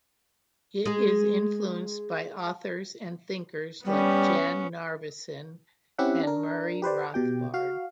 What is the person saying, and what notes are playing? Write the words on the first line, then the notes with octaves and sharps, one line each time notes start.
It is influenced by authors and thinkers like Jan Narveson and Murray Rothbard.
G#3 G#4
G3 B3 C#4
C4 C#4 E4 G4 E5 F#5
D4 A#4
G4 B4 C5 D5
B2 G4 G5
F#4 F5